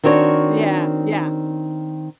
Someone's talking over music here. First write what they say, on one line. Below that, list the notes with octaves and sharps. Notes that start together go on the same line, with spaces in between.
Yeah, yeah.
D#3 C4 D4 F#4 C#5